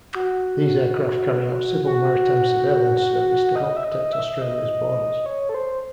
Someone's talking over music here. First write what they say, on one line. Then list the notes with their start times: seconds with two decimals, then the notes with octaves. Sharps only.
These aircraft carry out civil maritime surveillance service to help protect Australia's borders.
0.15 F#4
1.85 F#4
3.56 D#5
3.77 E5
3.84 D#5
4.13 E5
4.42 D#5
5.26 C#5
5.49 A4
5.55 C5